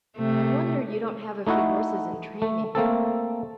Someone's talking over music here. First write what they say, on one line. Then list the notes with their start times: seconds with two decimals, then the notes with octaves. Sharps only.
"I wonder you don't have a few horses in training."
0.17 C3 A3
1.47 A3 D#4 E4 F#4 F#5
2.42 A3
2.75 A3 A#3 C4 A4